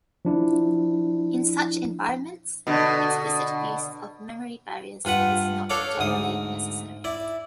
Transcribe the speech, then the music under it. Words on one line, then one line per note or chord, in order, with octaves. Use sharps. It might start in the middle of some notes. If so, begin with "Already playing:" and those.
In such environments explicit use of memory barriers is not generally necessary.
F3 D4 E4
B2 D3
G2 F4 B4 F#5
D4 A4 C#5 D5 F5 D6
D2 G#2 D#6
E4 D5